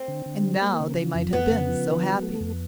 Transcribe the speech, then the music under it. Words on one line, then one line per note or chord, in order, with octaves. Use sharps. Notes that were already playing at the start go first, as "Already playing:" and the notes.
And now they might have been so happy!
Already playing: C4
D3
D3
G3
A#3
C#3
F3
F2
F2 B3
C#3
F3
D3
F#3
A3
F2